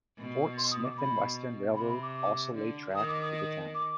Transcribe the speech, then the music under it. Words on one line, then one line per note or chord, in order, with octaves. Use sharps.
Fort Smith and Western Railroad also laid track through the town.
B2
C6
D#6
D6
B2 B5
C3 B5
B5
D6
D6
D3
D#3 D#6
D6
D#6
D6